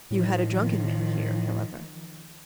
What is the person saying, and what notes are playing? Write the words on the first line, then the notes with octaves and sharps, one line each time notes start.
"You had a drunken man here, however."
A2 D#3 F3